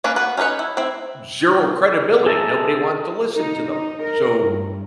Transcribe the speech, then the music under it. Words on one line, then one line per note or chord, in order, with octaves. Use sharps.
zero credibility, nobody wants to listen to them, so
A#3 C#4 D4 B4
B3 F#4 B4
C#4 D#4 F#4 B4 C#5
E4
C4 E4
G#4 A4 E5 A5 A#5
D#4
D#4
A#4
G2